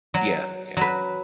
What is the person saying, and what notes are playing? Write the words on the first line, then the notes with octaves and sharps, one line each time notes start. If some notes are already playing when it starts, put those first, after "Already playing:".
Yeah. Yeah.
F#3
F#3 B4